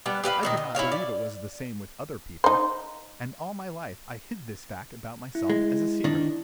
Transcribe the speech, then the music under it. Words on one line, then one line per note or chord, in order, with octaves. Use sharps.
I did not believe it was the same with other people, and all my life I hid this fact about myself as a secret.
G3 B3 D4
G4 B4 D#5 F5
A#2 D#3 D#4
D#5
E4 F#4 C#5 F5
D5
D#4 C5
E4
G#3
D#3 D4